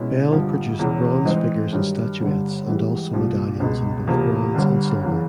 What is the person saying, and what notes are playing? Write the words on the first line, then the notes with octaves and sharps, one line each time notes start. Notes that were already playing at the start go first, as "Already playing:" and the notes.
Bell produced bronze figures and statuettes and also medallions in both bronze and silver.
Already playing: B2 G#3 C#4 E4
G#1 G2 D3 F3
E1 E2 C#3 E3
G#2 E3 G#3 C4 D#4
G2 D#3 F#3
G1 G2 D3
G#1 G#2 E3 G3
C2 A#2 F3
C#2 B2 G#3
F1 E2 C3 F3 A#3
G1 G2 D3
F#1 E2 C#3 E3